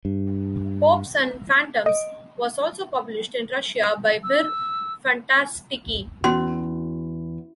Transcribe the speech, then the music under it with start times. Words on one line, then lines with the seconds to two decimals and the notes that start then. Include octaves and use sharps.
"Popes and Phantoms" was also published in Russia by "Mir Fantastiki".
0.05 G2
1.86 D#5 D7
4.23 E6
6.24 E2 C#4 F#4 C6